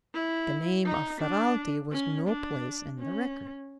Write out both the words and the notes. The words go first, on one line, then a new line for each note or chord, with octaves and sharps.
The name of Ferralti was no place in the record.
E4
D#4
D4
C#4
D4
C#4